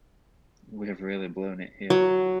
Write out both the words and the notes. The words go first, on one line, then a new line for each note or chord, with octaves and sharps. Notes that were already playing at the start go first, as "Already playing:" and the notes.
We have really blown it here.
F#3